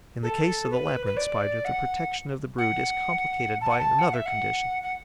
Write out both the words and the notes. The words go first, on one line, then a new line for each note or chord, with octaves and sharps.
In the case of the Labyrinth Spider, the protection of the brood is complicated by another condition.
A4
B4
B4
D5
F#5
F#5
A5
F#5
A5
F#5
E5
F#5
F#5